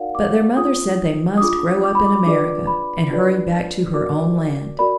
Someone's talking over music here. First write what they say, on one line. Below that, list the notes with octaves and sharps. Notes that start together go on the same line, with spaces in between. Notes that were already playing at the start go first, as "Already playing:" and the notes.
But their mother said they must grow up in America and hurried back to her own land.
Already playing: D#4 F#4 A#4 D5 F5 F#5
D6
D4 F4 G#4 D#6
D#6
D4 F4 G#4 D6
D6
B5
D6
D4 F4 G#4 B4 D5 D6
B5
D4 F4 G#4 B4 D5
F#4 A#4 D5 D6
F#4 A#4 D5 B5